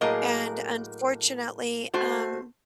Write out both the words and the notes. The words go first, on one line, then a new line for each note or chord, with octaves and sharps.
and, unfortunately, um,
A2 F#3 A#3 G#4 A#4 D#5
A3 F#4 C5